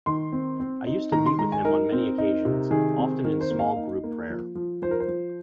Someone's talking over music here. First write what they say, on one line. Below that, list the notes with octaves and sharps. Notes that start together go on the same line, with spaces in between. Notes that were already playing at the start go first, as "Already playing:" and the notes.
I used to meet with him on many occasions, often in small group prayer.
D#3 C6
C4
C4
D#4
D#3 A#5
C6
G#3 A#5
G#5
D#4 A#4
C4
D#4
C3
D#3 G#4
C4
D#3 A#4
C5
A#3
F5
D#4
A#3
F3
F3
F3 C5
A#4
C5
F3